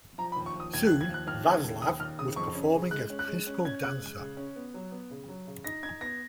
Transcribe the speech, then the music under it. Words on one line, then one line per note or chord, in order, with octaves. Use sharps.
Soon Vaslav was performing as principal dancer.
F3 A#5
B5
D#2
C#6
F3
D#6
D#2 G#6
F#6
D#2
G#6
F3
F#6
D#2 F6
C#3
D#2
D#2 D#6
D#2 F6
C#3 D#6
F2 C#6
C#4
C#3
G#3 F#6
C#4
F#6
G#3
C#4
C#4 G#6
C#3 F#6
G#3
C#3
C#4
B3
F#3
B3
C#3
F#3
C#3
D#4 A#6
D#4 G#6
B3 A#6